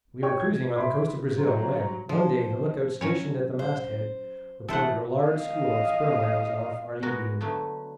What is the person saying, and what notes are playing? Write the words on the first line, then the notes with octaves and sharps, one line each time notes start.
We were cruising on the coast of Brazil when, one day, the lookout, stationed at the masthead, reported a large school of sperm-whales off our lee-beam.
C#5 G5 C#6
G#6
E5 B5 C6 D6
F#3 C5 A#5
F3 C5
F#3 C#4 C#5
C5
E3 A3 A4 C5 F#5
D#5 F5
G#3 B3 F#4 A#4
D3 F#3 A3 B3